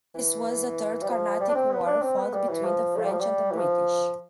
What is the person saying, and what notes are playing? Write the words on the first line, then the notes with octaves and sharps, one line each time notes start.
This was the Third Carnatic War fought between the French and the British.
E3
G3
F3
G3
D4
C4
B3
D4
C4
B3
G3
E3
F3
A3
G3
F3
G3
E3
F3